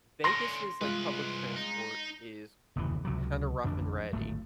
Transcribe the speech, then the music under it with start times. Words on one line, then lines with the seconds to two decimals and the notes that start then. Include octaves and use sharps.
Vegas is like public transport is r kinda rough and ready,
0.24 D3 C#4 C6 A#6
0.81 C2 G#3 F4 B4
1.56 D#4
2.76 F#1 D#2 C3 E3
3.05 C#2 C3 F#3
3.64 A1 F2 D3 D4
4.12 D1 G#1 A3